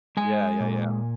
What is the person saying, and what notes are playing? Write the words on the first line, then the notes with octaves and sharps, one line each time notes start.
Yeah, yeah, yeah.
G#3 G#5
A#2